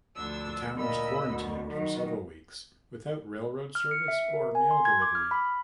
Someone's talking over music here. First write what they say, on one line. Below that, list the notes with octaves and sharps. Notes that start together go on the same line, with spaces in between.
The town was quarantined for several weeks, without railroad service or mail delivery.
D2 F3 D4 E6
D2 A#2 A#4 D#5 B5 E6
D2 B2
D#3 F#3
F6
C#7
E5
A#4
G#5
C6
G#6
D6
F6
B5